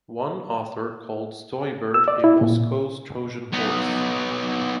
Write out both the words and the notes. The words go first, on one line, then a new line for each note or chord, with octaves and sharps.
One author called Stoiber a "Moscow's Trojan Horse".
E6
D5
E4
A#2
B3 D#4